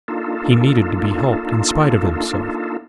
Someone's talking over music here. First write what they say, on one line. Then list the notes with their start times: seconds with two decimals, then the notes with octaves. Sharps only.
He needed to be helped in spite of himself.
0.08 A#3 D4 D#4 F4 A4